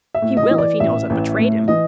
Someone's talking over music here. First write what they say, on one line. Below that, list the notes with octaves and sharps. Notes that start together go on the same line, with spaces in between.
"He will, if he knows I've betrayed him."
E5
A2
D#5
E3
D5
A1 E5
A1
A2
E3 D#5